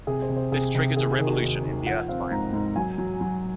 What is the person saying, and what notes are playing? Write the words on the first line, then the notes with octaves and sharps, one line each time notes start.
This triggered a revolution in the earth sciences.
C3 G#4
C5
C3
C5
C3 G#4
C3
D#3 G#4
G#4
D#3
F#4
D#2 A#4
D#2
F3 F#5
C4 F5
G#2 A#5
G#2
F#3 G#5
F#3
F#3